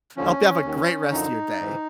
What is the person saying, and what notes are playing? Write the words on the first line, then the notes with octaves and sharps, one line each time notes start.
Hope you have a great rest of your day.
D#2 D3 F3 C#4
D#2 D#3
F#2 D3 F3 D#4
G#2 E3